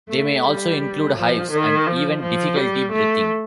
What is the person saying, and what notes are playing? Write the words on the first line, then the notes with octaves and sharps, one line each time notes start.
They may also include hives and even difficulty breathing.
A3
G3
F3
D#3
F3
F3
G3
A3